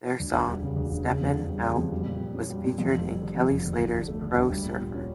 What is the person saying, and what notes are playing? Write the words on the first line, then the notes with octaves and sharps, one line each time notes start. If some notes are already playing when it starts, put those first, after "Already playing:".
Their song "Steppin' Out" was featured in Kelly Slater's Pro Surfer.
D2
E1
G3
C#3
D2
E1
C#3
F2
D4
G3
C#3
F2
G3
A#2
A#2
C#4
G3
A#2
F2
F1
G3
D3
F2
F1
D3
D2
D4
A3
D3
D2
G3
A#2
A#2
C#4